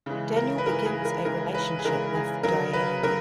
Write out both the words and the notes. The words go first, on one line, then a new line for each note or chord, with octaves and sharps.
Daniel begins a relationship with Diane.
C#3 E3 G#3
A#4
B4
C#3 E3 G#3 A#4
G#4
A#4
C#3 E3 G#3 A#4
B4
G#4
C#3 E3 G#3 A#4
G#4
C#3 F#3 A#4
B4
C#3 F#3 A#4